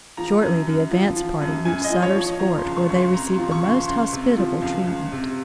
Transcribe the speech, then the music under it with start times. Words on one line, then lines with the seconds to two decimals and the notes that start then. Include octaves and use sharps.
Shortly the advance party reached Sutter's Fort where they received the most hospitable treatment.
0.17 F3 A#5
0.42 F#2
0.67 F#2
0.91 F3
1.16 F3
1.41 F#2
1.65 F#2 G#5
1.84 D#5
1.90 F3
2.02 C#5
2.15 F3
2.21 C#5
2.40 F3 A#5
2.58 C6
2.65 C#2
2.77 C#6
2.89 C#2
2.95 C6
3.14 C3 A#5
3.33 C6
3.39 F3
3.52 C#6
3.64 C#2
3.69 C6
3.88 C#2 C6
4.13 C3
4.37 F3
4.62 C#2
4.87 C#2
5.12 C3